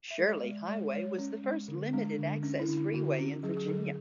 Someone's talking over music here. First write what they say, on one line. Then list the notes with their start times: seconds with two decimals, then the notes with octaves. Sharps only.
Shirley Highway was the first limited-access freeway in Virginia.
0.11 E5
0.18 G#3
0.27 D5
0.43 G#3
0.68 G#3 D5
0.93 G#3 C#5
1.18 C#4
1.44 G#3
1.68 D3
1.93 G#3 D4
2.19 D3
2.43 C#4 D4
2.59 E4
2.68 D3
2.77 E4
2.94 D3 F#4
3.18 C#4
3.43 F#3 G#4
3.57 G#4
3.68 D3 A4